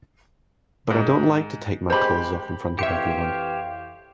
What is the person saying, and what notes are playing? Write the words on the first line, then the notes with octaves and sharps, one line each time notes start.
But I don't like to take my clothes off in front of everyone.
G#2
G#3 G4 C5 B5
F2 E3 G4 C5 C#5 E5 F5 C#7